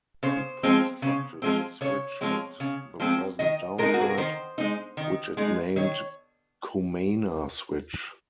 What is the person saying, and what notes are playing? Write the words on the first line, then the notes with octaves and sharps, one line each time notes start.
It constructed a switch at the present townsite, which it named Comana Switch.
C#3 C5
F3 G#3 C4
C#3
F3 G#3 C4
C#3 C#5
F3 G#3 C4
C#3
F3 G#3 C4
D#3 D#5
G#3 D#4 A#4
F#4
G#4
A#4
D#3 C5
G#3 D#4
D#3
G#3 D#4
D#3 C#5